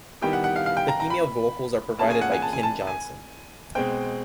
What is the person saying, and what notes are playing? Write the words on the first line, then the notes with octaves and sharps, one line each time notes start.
The female vocals are provided by Kim Johnson.
D#3 G3 B3 E4 G4 G5
F#5
F#5
F5
F5
G5
A#5
A#5
B5
A#3 C#4 F4 G#4 A5
G#5
F#5
G#5
A5
G#5
A5
G#5
B2 G#3 C4 G5